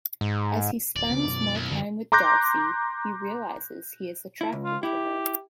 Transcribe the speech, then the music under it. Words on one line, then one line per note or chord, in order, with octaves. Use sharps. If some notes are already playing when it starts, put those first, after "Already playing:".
As he spends more time with Darcy, he realizes he is attracted to her.
G#2
D1 D5
C#2 C#3 B3
F#2 B2
C2
F#2 D3
A#5 C6 D6 F#6 G6 A#6
E4
C#2
F4
E4 G4